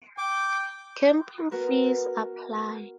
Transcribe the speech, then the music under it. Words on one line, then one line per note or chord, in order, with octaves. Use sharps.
Camping fees apply.
G5 D6
B3 F#4 A#4 B4